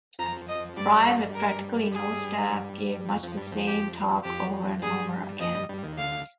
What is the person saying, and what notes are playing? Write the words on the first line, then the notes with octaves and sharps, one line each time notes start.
Bryan, with practically no staff, gave much the same talk over and over again.
F2 F3 A#5
D#5
G2 G3 D5
A#4
G#4
G2 G3
F2 F3
F2 F3
G2 G3
F2 F3
G4
F2 F3 G4
F3
G2 G3 G#4
F2 F3 D#5
G2 G3
G2 G3
D#2 D#3
D2 D3 F5